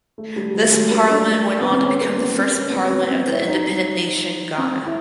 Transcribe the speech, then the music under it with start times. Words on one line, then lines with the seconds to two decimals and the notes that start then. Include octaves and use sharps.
This parliament went on to become the first parliament of the independent nation Ghana.
0.18 A3
0.36 G3
0.54 F#3
0.65 A3
0.73 G#3
0.92 A#3
1.10 D4
1.61 B3
1.72 C4
1.83 C#4
2.01 A#3
2.19 B3
2.38 C4
2.56 C#4
2.70 B3
2.74 C4
2.88 C4
2.93 B3
3.11 C4
3.30 E4
3.47 D#4
4.58 C4
4.86 E4